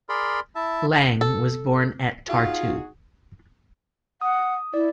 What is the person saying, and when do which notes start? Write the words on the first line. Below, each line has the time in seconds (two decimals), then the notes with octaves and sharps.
Lang was born at Tartu.
0.09 G#4 A#4 D5 B5 C6
0.55 E4 E5 A5
1.21 A4
2.29 D#4 F4 F#4 G#4
4.21 F#5 D#6
4.74 E4 D5